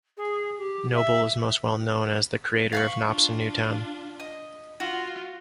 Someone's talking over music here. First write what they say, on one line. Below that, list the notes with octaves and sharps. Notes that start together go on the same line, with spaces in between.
Noble is most well known as the creator of "Nobson Newtown".
G#4
G4
E5
F5 B5 C#6
D4 F4
D#5
F4 F#4